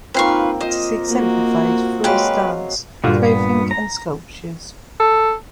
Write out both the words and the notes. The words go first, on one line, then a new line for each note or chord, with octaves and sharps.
It is exemplified through its dance, clothing, and sculptures.
A#3 C4 D#4 F4 B4 F5 C#6
F4 C5 D#5
A#3 F#4
F#3 G#3 G4 B4 F5
G2 A#2 D3 F4 F#4
B3
A#5
A4